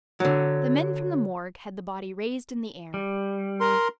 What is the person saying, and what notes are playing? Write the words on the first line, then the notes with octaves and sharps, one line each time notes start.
The men from the morgue had the body raised in the air.
D3 F#3
G3
A#4 C6